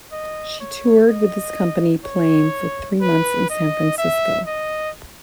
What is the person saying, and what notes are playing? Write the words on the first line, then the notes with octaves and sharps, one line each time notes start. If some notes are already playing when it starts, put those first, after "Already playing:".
She toured with this company, playing for three months in San Francisco.
D#5
C#5
D#5
C#5
B4
D#5
E5
D#5